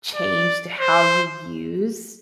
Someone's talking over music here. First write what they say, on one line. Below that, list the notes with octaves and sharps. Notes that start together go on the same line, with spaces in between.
changed how you use,
D5
C5